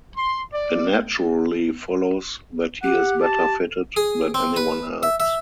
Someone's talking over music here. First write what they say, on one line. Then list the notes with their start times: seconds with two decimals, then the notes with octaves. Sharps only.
It naturally follows that he is better fitted than anyone else.
0.17 C6
0.53 D5
2.83 G4 F#5
3.23 A5
3.97 G#4
4.34 C4
4.56 B4
5.03 E5
5.20 E5